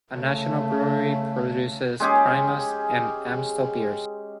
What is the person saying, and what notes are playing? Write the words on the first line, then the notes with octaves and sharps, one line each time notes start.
A national brewery produces Primus and Amstel beers.
C#3 A3
G#3 C#4 G4 G#4